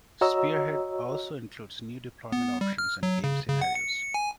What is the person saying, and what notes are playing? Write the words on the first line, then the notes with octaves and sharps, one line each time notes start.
"Spearhead" also includes new deployment options and game scenarios.
F#4 C#5 D#5 A#5 E6
B3
G3
F6
F#3
C#3
C#3
F#5
C#7
G#5